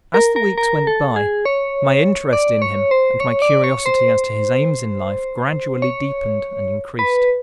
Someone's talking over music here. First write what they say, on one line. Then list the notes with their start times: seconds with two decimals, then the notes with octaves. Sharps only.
As the weeks went by, my interest in him and my curiosity as to his aims in life, gradually deepened and increased.
0.14 A#4
0.36 A#4
0.58 A#4
0.87 A4
1.16 G#4
1.45 C#5
2.33 D5
2.62 C#5
2.91 C5
3.20 C#5
3.42 D5
3.64 C#5
3.86 C5
5.82 C#5
6.99 B4